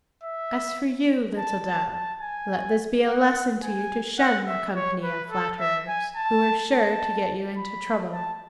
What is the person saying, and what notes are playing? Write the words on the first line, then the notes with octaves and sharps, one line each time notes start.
As for you, little Dove, let this be a lesson to you to shun the company of flatterers, who are sure to get you into trouble.
E5
A5
A5
A5
G#5
F#5
G#5
F#5
E5
C#5
B4
A4
E5
G#5
A5
A5
B5
A5